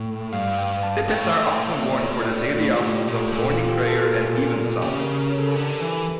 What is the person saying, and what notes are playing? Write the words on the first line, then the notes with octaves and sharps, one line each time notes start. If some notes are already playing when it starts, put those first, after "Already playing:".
Tippets are often worn for the Daily Offices of Morning Prayer and Evensong.
Already playing: A2
G2 F5
G5
A5
A2 G5
E5
D5
C#5
C#5
D5
A2 F4
A#2 G4
A2
G4
A#2
A2
A#2 A4
F4
G4
A4
A#4
C#3 G4
A#4
A#4
A4
D3
E3